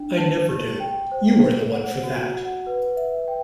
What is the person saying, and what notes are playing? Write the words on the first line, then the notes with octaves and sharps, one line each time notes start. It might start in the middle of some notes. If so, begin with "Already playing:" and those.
I never do; you are the one for that.
Already playing: D4
A5
G4
G5
C5
C5
F#5
F#4
F#5
B4
E5
G5